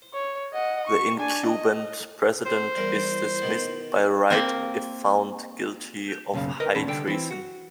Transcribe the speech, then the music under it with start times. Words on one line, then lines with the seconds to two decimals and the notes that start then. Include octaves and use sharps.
The incumbent President is dismissed by right if found guilty of high treason.
0.14 C#5
0.53 D#5 F#5
0.88 C#6
1.17 D4 G#5
1.46 D#5
2.46 C5
2.77 E2 G3 A#4
3.42 B2 D#3 B3
4.30 A#3 C4 A#4
6.34 B1 F#2 C#3 A#3 F5
6.60 A#4 B4 D#5
6.75 E2 A#2 A3 C#4 A5 B5
6.87 C2 D3 G5
7.07 E3 C4
7.31 F#4